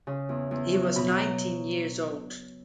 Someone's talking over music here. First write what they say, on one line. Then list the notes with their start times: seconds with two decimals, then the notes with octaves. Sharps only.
He was nineteen years old.
0.07 C#3
0.29 E2
0.51 E2
0.73 F#3
0.96 B2 B5
1.18 A#5